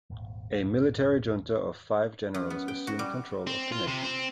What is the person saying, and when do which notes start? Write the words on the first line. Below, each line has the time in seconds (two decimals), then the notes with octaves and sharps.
A military Junta of five Generals assumed control of the nation.
0.10 D#1 G#1
2.34 F#2
2.50 B3
2.68 G5
2.87 F#4
2.99 G3
3.47 C4
3.72 F4
3.87 C3
4.02 C4